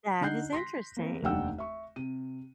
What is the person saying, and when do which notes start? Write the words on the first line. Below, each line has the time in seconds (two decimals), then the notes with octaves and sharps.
That is interesting.
0.21 D3 D#4 F#5 F#6 G6 C7
0.52 C6 A#6 B6
0.97 A#3 C4
1.23 F1 D#2 D4 F#5 G5 E6
1.58 E5 C#6
1.96 C3 D#7